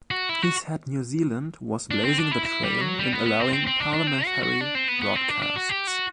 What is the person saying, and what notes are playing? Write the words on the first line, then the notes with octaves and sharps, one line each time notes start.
He said New Zealand was blazing the trail in allowing parliamentary broadcasts.
F#4
E4
F#4
D4
C4
D4
E4
E4
G3
F#3
G3
B3
B3
C4
C4
C4
D4
D4
C4
F#4
F#4
D4
C4
B3
B3
C4
D4
D4
F#4
G4
F#4